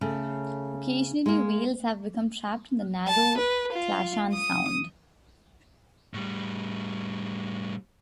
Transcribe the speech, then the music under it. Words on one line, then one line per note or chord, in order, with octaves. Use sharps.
Occasionally whales have become trapped in the narrow Clachan Sound.
C#3 A3
G#3 A#3
A5
B4
F4
D#6
A2 G3